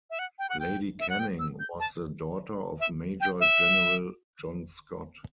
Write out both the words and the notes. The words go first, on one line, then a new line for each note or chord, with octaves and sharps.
Lady Canning was the daughter of Major-General John Scott.
E5
F#5
G5
F#5
G5
E5
F#5
G5
E6
G6
A5
E5
G5
E5